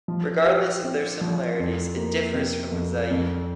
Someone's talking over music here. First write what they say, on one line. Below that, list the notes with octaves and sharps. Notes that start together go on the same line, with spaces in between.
Regardless of their similarities, it differs from the Zaï.
F3
G4
C4
F3
F2
A#3
C3
F2
F2